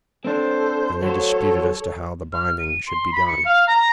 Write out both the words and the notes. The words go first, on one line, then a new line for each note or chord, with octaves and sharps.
And they disputed as to how the binding should be done.
C4 D4 A4 C5
F#3 A4 C5 C#5
F6
D#7
C6
B5
C#7
F5
A#5